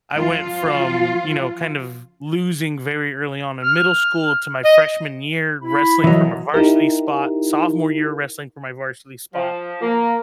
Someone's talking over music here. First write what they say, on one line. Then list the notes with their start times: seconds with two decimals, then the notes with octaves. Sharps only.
I went from, you know, kind of losing very early on in middle school to my freshman year wrestling from a varsity spot, sophomore year wrestling for my varsity spot,
0.16 F3 F4
3.63 F6
4.64 D#5
5.62 E4 B5
6.04 E3 F#3 A4 A#4 D#5
6.54 D#4 E4 G4 A#4
9.34 F3
9.82 A#3